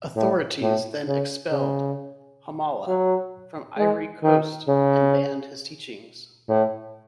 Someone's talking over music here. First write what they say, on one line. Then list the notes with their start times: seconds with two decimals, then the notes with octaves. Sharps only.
Authorities then expelled Hamallah from Ivory Coast and banned his teachings.
0.16 A2
0.62 A2
1.07 C#3
1.52 C#3
2.88 F#3
3.78 G#3
4.23 D#3
4.68 C#3
6.49 A2